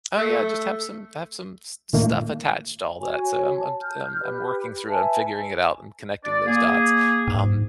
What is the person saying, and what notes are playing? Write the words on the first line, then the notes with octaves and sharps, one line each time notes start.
oh, yeah, I just have some have some stuff attached to all that, so I'm, I'm I'm I'm working through it I'm figuring it out, I'm connecting those dots. Um,
A3
A#2 D#3 A3 A#3
F#4 C#5 G#5
A5
F6 G6
G4 B4
B4 E5 G#5 A5
D5
A#3 G#4
G#2